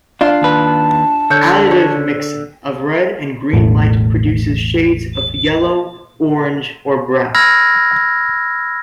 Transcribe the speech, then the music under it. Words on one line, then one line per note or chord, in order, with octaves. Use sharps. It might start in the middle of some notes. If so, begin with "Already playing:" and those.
Additive mixing of red and green light produces shades of yellow, orange, or brown.
D4 F4 C6
D#2 B4 A5
D3 C#5 G6
C5 C#5
E1 A1 E2 A2
B5 E6 F6 G#6 A#6